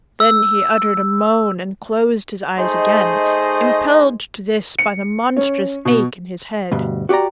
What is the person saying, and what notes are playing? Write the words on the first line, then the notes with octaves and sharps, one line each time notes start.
Then he uttered a moan, and closed his eyes again, impelled to this by the monstrous ache in his head.
E6
A3 D#4 G#4 C5 D#5
C#7
C#4
B2
D2 G2 B2
F#4 G4 C#5 D5 A#5